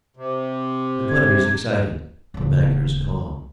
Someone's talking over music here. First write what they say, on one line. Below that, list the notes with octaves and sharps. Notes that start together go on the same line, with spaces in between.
The punter is excited, the banker is calm.
C3
G#6
D1 C#3